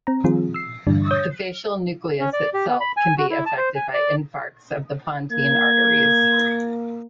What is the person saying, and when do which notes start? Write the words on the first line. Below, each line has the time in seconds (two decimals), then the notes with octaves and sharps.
The facial nucleus itself can be affected by infarcts of the pontine arteries.
0.07 C4 A#5
0.24 D#3 F3 G3 C4 F4 G#4
0.54 E6 C7
0.87 G2 D3 E3 G3 D4
1.11 C#5 D#6 G6
2.20 C#4
2.33 D5
2.54 G4
2.68 B3
2.80 B5
2.97 G#5
3.18 F#4
3.30 E4
3.46 A5
3.57 C5
3.75 G#5
3.94 D5
5.32 A#3 G#6